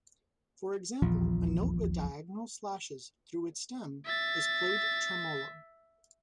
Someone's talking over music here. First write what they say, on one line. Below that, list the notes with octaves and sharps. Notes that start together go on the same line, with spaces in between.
For example, a note with diagonal slashes through its stem is played tremolo.
D#1 A#1 E2 F3
E5 A6